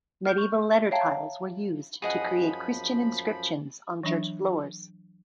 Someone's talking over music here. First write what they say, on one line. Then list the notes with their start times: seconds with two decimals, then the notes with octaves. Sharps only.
Medieval letter tiles were used to create Christian inscriptions on church floors.
0.25 F6 G6
0.38 C#6
0.91 C#5 E5 F5 G5 A5 A#5
2.02 F#2 F3 G#4 D#5 F#5 B5
4.03 E3 F#3 D4 E5